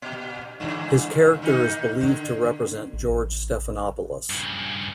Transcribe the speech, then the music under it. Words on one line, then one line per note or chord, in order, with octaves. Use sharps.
His character is believed to represent George Stephanopoulos.
A#2
G2 D3 E3
D#3 A#3 D#4
D3
A1
G2 C#3